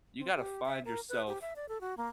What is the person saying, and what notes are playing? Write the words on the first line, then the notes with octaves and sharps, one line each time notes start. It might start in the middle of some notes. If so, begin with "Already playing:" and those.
You gotta find yourself
C4
G4
E5
A#4
B4
G4
E5
D5
A4
F#4
A#3